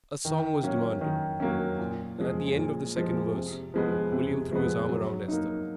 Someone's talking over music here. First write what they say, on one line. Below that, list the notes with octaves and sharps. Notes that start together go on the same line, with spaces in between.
A song was demanded, and at the end of the second verse William threw his arm round Esther.
D#3
F#3 A#3 C#4
D#3
F#3 A#3 C#4
A#2
F3 G#3
A#2
F3 G#3
C3
F3 G#3 B3
C3
F3 G#3 B3
F#3
A#3 D#4